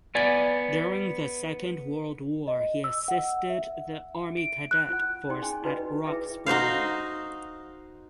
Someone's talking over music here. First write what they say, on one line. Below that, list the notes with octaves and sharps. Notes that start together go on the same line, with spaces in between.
During the Second World War he assisted the Army Cadet Force at Roxburgh.
B3 D5 G#5
D#5
E6
F#5
E5
D7
F#6
F4 F#5
D#4 G#4 D5 G5 C6
C#4 G#4 G5 G#5
D#4 F4 F#4 B4 D5 D#5
E4 G#4 B4 E5 G5 D6
D#4 F#4 C5 F5